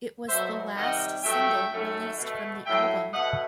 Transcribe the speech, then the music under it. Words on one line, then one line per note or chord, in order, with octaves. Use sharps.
It was the last single released from the album.
B2 F#3 A3 C5 E5
C3 D#3 G3 D#5 F#5
G2 F#3 A3 E5 G5
F#2 D#3 A3
B2 A3
A2 F#3 A3 E5 G5
B2 A3 D#5 F#5